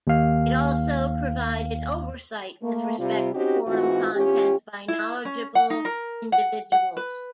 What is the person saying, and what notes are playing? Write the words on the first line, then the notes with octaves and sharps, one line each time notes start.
It also provided oversight with respect to forum content by knowledgeable individuals.
D#2 F5
A3 A#3
C3 G3 F4
C4 C#4 D#4 F#4 G4
G#2 E3 C4 F4 F#4
E2 C#4 F4 G4
E4
C#4
F#5
D#4
A#4
F#5
F#5
B4